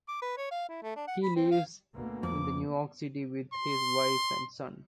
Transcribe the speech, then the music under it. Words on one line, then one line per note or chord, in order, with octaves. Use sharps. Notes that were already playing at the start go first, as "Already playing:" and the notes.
He lives in New York City with his wife and son.
D6
B4
C#5
F5
E4
A3
D4
F#5
B5
C4
F5
D2 B2 A#3
F2 D6
C6